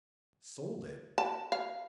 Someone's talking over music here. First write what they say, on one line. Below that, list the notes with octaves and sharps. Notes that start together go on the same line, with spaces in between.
Sold it!
A5
F5